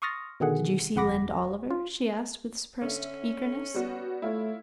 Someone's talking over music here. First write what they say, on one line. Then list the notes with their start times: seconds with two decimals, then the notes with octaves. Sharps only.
"Did you see Lynde Oliver?" she asked with suppressed eagerness.
0.02 C6 C#6 D#6 F6 A6 A#6
0.40 B2 D3 D#3 G#4 F#5
0.96 G1 F2 F#5 B5 D6 A#6
1.70 F4
2.82 D3 C#4 E5
3.74 G3 B3 F#4
4.22 A3 E4 F4 C#5